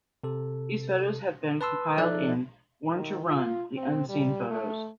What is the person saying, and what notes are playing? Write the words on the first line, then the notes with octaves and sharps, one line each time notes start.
These photos have been compiled in "Born to Run: The Unseen Photos".
C3 A4
B4 A5 C6 E6
F3 D#4 A4 D5 E5 F#6
D#3
F4
C4
G3
A3